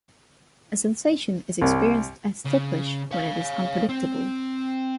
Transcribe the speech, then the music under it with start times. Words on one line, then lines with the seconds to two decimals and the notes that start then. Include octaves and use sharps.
A sensation is experienced as ticklish when it is unpredictable.
1.62 C2
2.46 C#3
3.11 C#5 F5
3.89 C4